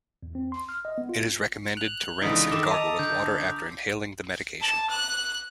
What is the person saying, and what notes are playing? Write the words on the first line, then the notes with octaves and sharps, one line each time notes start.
It is recommended to rinse and gargle with water after inhaling the medication.
E2
C4
C6
F6
D#5
B3
F4
F#6 F7
C#2 D3 E3 D#4 D#6 B6 D7
D#3 A4 D6 E6 A#6 E7
D#5 A5 A#5 D#6 F7
D3 G6
A5
F#6